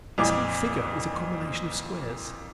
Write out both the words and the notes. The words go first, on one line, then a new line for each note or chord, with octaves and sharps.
His whole figure is a combination of squares.
F2 A#2 E3 D6